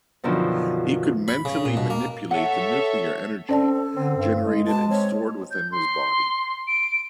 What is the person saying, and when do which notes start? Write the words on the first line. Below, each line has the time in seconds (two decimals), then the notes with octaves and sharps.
He could mentally manipulate the nuclear energy generated and stored within his body.
0.23 F#2 B2 D3 D#3 F3
1.28 B5
1.45 C#3
1.65 A#2
1.77 B2
1.90 A#3
2.31 A4 C#5 E5 F#5
3.49 C4 C#4 A4 D5 A5
3.97 D3 C4
4.17 G2
4.45 G#3
4.67 B2 A5
4.90 C4 C#5
5.51 G6
5.72 C6
6.68 D7